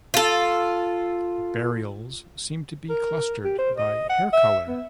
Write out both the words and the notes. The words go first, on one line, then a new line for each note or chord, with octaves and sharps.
Burials seem to be clustered by hair-colour.
F4 A4
A#4
G4
C5
D#5
F#5
E5
B3